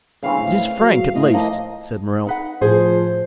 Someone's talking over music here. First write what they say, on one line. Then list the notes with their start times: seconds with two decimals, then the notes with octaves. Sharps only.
"It is frank, at least," said Morrel.
0.23 G1 C#3 E3 C4 F5
0.37 A2
0.79 F#3
1.14 A2 D#5
1.32 F3 A#3 D#4 D#5
2.27 D#4 B4 F#5
2.62 A2 F3 G#4 C5